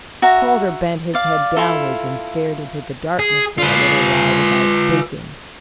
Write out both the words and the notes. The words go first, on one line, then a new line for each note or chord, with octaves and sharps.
Calder bent his head downwards and stared into the darkness for a little while without speaking.
F#4 E5 A#5
D5 F5
E4 F4 A4
G#4
F4 B4